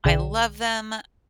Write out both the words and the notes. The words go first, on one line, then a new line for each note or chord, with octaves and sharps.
I love them,
B1 D3 G#4 D5 G5 E7